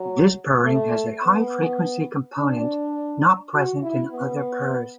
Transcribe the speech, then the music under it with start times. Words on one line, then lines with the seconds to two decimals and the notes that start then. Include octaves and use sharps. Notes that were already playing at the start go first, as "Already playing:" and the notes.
This purring has a high-frequency component not present in other purrs.
Already playing: F#3
0.65 A3
1.23 B3
2.39 D4
3.54 F#4
3.83 E4
4.11 B3